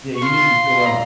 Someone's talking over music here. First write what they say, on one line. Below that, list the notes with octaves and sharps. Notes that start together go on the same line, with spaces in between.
Yeah, you need to chill out.
C#6
F4 C6
A#5